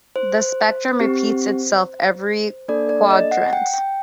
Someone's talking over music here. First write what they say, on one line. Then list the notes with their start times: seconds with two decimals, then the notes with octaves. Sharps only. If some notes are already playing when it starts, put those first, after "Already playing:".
The spectrum repeats itself every quadrant.
0.16 C5
1.00 C4 G4
2.68 A#3 D4 A4 D5
2.89 D5
3.11 D#5
3.31 F#5
3.53 G5
3.74 G5